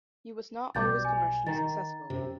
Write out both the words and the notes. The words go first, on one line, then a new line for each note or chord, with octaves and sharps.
He was not always commercially successful.
B1 B2 G3 D6 G6 A6
G#5
D#3 A#5 A6
F#2 C3